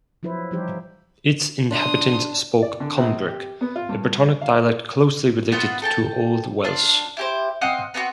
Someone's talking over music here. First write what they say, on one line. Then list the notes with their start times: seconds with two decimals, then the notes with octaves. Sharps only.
Its inhabitants spoke Cumbric, a Brittonic dialect closely related to Old Welsh.
0.23 F3 F#3 E4 B4 C5
0.51 E3 F3 G3 D#4 G4 C5
1.71 D4 C6 D#6
2.62 D5
2.80 D3
2.97 A#1
3.28 G4
3.61 B3
3.76 F4
3.89 G2
4.41 F5
5.52 B3 F4 E5 F#5
5.82 A4 G5 A5
6.64 D4 F4
7.17 E4 G4 C5
7.61 C4 D#5 F5 F#5
7.94 B3 C4 E4 F#4